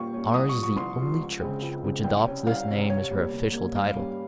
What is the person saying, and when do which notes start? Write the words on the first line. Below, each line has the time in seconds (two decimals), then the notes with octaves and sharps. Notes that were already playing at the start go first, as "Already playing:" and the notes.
Ours is the only Church which adopts this name as her official title.
Already playing: A#2 G3 A#3 C#4 F5 G5 C#6
0.14 G3 A#3 C#4
0.34 C2 D#6
0.49 C#6
0.55 C3 F3
0.63 C#6
0.76 C2 C6
0.98 C3 F3
1.19 C#2
1.40 C#3 G#3 C4
1.62 C#2
1.84 C#3 G#3 C4
2.04 C2 G5
2.26 C3 G3 C#4
2.47 C2 F5
2.68 C3 G3 C#4
2.89 C3 C#5
3.11 G3 A#3
3.32 C3
3.53 G3 A#3
3.75 G2 F5
3.96 G3 A#3 C#4